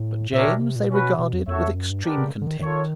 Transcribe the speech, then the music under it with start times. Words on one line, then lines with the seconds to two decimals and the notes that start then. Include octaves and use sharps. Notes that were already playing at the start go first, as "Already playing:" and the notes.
But James they regarded with extreme contempt.
Already playing: A2
0.32 A#2 D4 G4 A#4 C#5 E5
0.48 B2
0.61 C3
0.76 A#2
0.90 B2 C#4 F#4 B4
1.19 B2
1.33 F2
1.47 F2 F#4 A4 C#5 E5
1.56 E2
1.66 F2
1.75 F#2
1.90 G2
2.04 B3 D4 G4 A#4 D5
2.18 C#3
2.42 D3
2.47 D#3
2.61 D#3 F4 A4 C#5